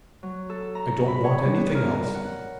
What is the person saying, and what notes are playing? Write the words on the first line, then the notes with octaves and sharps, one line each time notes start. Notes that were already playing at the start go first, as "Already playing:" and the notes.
I don't want anything else.
F#3
A4
A#5
B5
C#5
G3
B3
A#4
F#5